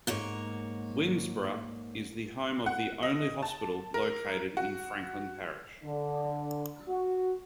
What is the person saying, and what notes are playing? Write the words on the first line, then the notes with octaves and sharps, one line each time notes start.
Winnsboro is the home of the only hospital located in Franklin Parish.
G#2 A#3 C#5
F#5
D#5
A5
A#4
F#4
D3
F#4